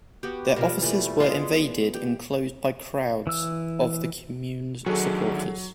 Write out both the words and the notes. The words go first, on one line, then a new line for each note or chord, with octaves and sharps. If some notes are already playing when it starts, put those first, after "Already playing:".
Their offices were invaded and closed by crowds of the Commune's supporters.
B3 F#4 G4
B2 F3 G3 A#3 A#4
E3 G3 A3
G#3 B3 D4 F4
G4
E3 E6
D3 D#3 F#3 F#4 G#4 A4